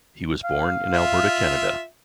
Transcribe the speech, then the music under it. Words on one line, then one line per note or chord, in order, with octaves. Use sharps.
He was born in Alberta, Canada.
F5
F4 E5